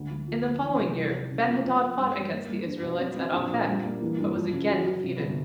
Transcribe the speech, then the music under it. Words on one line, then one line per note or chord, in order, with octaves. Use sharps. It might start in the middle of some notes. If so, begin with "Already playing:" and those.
In the following year Ben-hadad fought against the Israelites at Aphek, but was again defeated.
Already playing: D2
D2
F3
F3
E3
C3
C2
C2
C#3
F3
F3
F3
G2
G3
A#3
G3
D4
B2
C4
C4
A#1
A#2
G3
A#3
E3
G2
F3
C#3
F#3
F#3
C3
G1